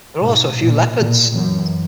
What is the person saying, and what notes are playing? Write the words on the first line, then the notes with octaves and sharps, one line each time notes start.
There are also a few leopards.
G#2 B2
A#2
A#2
F#2 E3